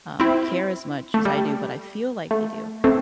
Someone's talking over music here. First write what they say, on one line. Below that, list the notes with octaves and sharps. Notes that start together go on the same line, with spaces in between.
um, care as much as I do, but I feel like they do.
C4 E4
A3
G3
A3
A3 C4